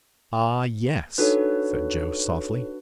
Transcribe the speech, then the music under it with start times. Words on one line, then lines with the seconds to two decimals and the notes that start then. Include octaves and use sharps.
"Ah, yes," said Joe, softly.
1.18 D4 D#4 F#4 A4 B4 C#5